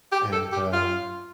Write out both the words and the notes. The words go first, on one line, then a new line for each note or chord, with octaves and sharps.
and, um,
G4
A4
G4
F4